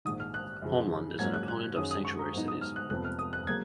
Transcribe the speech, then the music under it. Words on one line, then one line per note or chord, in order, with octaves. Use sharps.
Holmlund is an opponent of Sanctuary cities.
A#1 G#2 D#3 D#6
F6
F#6
F#2 C#3 F3 G#3
G#2 F#3 A#3 C#4 G#6
F#6
F#6
F#2 D#3 G#3 C#4 D#6
D#6
C#6
A#5
G#2 F#3 B3 D#4
D#6
F6
F#6
F1 F2 F3 B3 F#6
F6
D#6
F#6
C#3 F#3 A#3 G#6